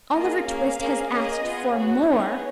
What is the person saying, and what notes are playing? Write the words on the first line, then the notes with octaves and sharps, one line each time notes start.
Oliver Twist has asked for more!'
A#3 F4 G#4 D#5
A#3 C#4 G#4 F5
A#3 C#4 G#4
A#3 C#4 G#4 D#5
B3 F4 G#4
B3 F#4 C#5
B3 D#4 G#4